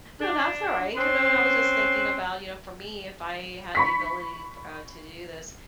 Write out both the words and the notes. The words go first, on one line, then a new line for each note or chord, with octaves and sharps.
No, that's all right. You know, I was just thinking about, you know, for me, if I had the ability f uh, to do this,
D4
C4 C#4 B4 C5 C6
B5 C#6 B6